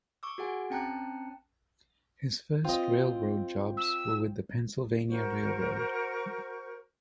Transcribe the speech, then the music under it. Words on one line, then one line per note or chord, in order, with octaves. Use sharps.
His first railroad jobs were with the Pennsylvania Railroad.
C#6 D6 E6
F#4 G#4 F#5 G#5
C4 C#4 G5 A5 A#5 F#6
C4 F4 D#5
E6
F#4 A#4 C5 C#6